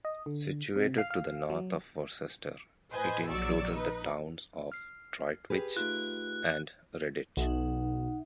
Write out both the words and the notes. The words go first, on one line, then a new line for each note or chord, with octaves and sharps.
Situated to the north of Worcester, it included the towns of Droitwich and Redditch.
D#5
D3
C3
F5
F5
F#3
A2 B4 C5 D#5 G#5
A#1 F#3 D5 C#6 E6
D#4 B4
F6 C7
G4 G#4 B4
A3 D#4 F4 F#6
B1 D#4 E5 F#5